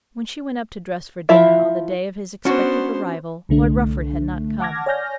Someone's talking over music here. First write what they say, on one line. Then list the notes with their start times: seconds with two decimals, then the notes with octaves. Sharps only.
When she went up to dress for dinner on the day of his expected arrival Lord Rufford had not come.
1.29 F3 E4 F4 A#4 E5
2.45 B3 C#4 D4 F#4 C5
3.49 C2 D3 A3 D4
4.60 F#5 A5 D6 F6 G#6 A#6
4.86 C#5 D5 G#5 F6 G6 A#6